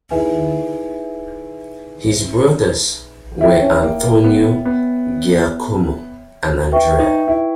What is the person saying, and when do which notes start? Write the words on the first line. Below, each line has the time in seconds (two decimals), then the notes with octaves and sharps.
His brothers were Antonio, Giacomo and Andrea.
0.11 D#4 E4 G#4 B4 E5 G#5
3.41 E4 C#5 E5 G5
3.62 C#4
3.83 A#3
4.03 A#3
4.24 B3
4.65 B3
6.72 B4 E5 G5 C#6
6.99 D#4
7.28 E4